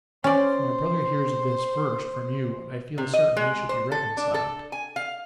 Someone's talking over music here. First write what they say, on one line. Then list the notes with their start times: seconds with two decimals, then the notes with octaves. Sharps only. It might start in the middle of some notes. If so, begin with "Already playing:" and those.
If my brother hears of this, first, from you, I feel certain we shall be reconciled.
0.24 C#4 C5 D5
2.98 C3
3.14 D#5
3.37 G#3
3.69 C5
3.92 A4
4.17 D4
4.34 A4
4.72 G#5
4.96 F5